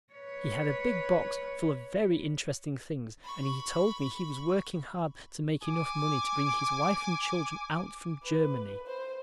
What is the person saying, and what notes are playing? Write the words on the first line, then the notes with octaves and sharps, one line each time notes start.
He had a big box full of very interesting things and he told me he was working hard to make enough money to bring his wife and children out from Germany.
B4 C#5
B5 C#6
G#5 D6
B4
C5